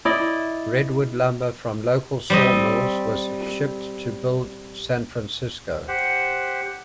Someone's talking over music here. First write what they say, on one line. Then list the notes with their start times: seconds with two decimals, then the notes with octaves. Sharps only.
Redwood lumber from local sawmills was shipped to build San Francisco.
0.05 E4 D5 D#5
2.30 G3 C4 D#5
5.88 G4 C5 F#5